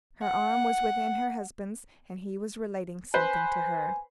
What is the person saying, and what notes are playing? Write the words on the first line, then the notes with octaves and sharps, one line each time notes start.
Her arm was within her husband's, and he was relating something to her.
F#5
B4 C5 G#5